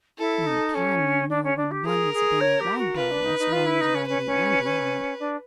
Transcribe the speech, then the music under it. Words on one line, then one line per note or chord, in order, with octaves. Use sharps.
One can, you know, when one has been a rag doll as long as Raggedy Andy had.
E4 A4
D#4
C#4
D4
C#4
D4
G4
G#4 A#4
G#4
C#5
G4
F#4
F4 B4
D4
D#4
D#4
F4
E4
D#4
C#4
C#4 B4
C#4
C#4
D4